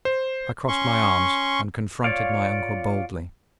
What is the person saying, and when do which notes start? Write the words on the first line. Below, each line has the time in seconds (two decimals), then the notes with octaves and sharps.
I crossed my arms, and confronted my uncle boldly.
0.05 C5
0.68 C#4 C6 C#6
2.04 F4 C#5 D5 F5